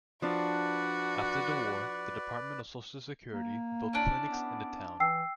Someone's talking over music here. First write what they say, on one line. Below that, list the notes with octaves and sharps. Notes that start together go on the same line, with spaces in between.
After the war, the Department of Social Security built clinics in the town.
F3 D4 F#4 B4 D5
A#3
C#4 D4 E4
B3
E3 G5 E6 C7